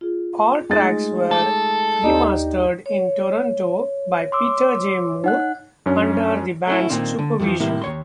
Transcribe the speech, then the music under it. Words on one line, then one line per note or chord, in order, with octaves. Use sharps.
All tracks were remastered in Toronto by Peter J. Moore under the band's supervision.
F4 G#4
G#3 A3 D#4 A6
A4 D6
D#2 D4 D#4 G4 D5
C#5
C6 D6 E6
D#4 F#5 F#6
F#2 C#4 D4
A3 C#4 E4
A#2 D#3 A#3 C4 D4
D3
F2 A2 D3 E3 F3
A2 C3 G3 A#3 E4
D#2 C#5 C6